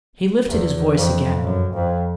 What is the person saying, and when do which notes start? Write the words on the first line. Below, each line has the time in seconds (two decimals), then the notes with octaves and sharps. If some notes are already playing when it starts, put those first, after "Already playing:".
He lifted his voice again.
0.49 E2
0.96 F2
1.43 F#2
1.74 F2